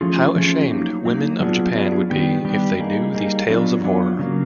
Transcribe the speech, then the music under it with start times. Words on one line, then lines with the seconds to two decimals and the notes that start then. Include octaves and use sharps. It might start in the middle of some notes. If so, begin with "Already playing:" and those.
How ashamed women of Japan would be if they knew these tales of horror.
0.01 F3 A3 C#4 F4 G#4
0.36 F3 A3 C#4 F4 G#4
0.71 F#3 A#3 D#4
1.05 F#3 A#3 D#4
1.40 F#3 B3 D4 F4 G#4
1.75 F#3 B3 D4 F4 G#4
2.10 D#3 G3 B3 D4 G4
2.45 D#3 G3 B3 D4 G4
2.80 G3 A#3 D#4 G#4
3.14 G3 A#3 D#4 G#4
3.50 F#3 B3 D4 F4
3.84 F#3 B3 D4 F4
4.19 C#3 F#3 A#3